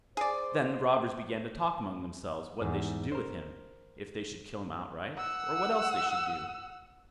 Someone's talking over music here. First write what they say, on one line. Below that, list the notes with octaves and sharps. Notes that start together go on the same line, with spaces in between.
Then the robbers began to talk among themselves what they should do with him; if they should kill him outright, or what else they should do.
G#4 C5 D5
E2 G#2
A#4 C5
F#5 E6